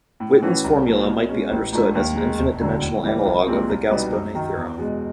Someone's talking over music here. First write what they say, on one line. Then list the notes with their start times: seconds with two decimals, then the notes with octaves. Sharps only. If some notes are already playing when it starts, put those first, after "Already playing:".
Witten's formula might be understood as an infinite-dimensional analogue of the Gauss-Bonnet theorem.
0.20 A2
0.43 E3 A3 C#4 F#4
0.64 C2
0.86 A#2 F#3 A3
1.07 B2
1.29 G#3 C#4
1.51 A1
1.73 G#2 F3 A3 D4
1.95 D#2
2.16 D#3 G#3
2.38 E1
2.60 D2 D3 F#3
2.82 A2
3.04 E3 G3
3.25 C2
3.47 A#2 F3 G#3 C4
3.69 C2
3.91 B2 G3 B3 D#4
4.13 F#2
4.34 D#3 F#3
4.56 E2
4.78 B2 G#3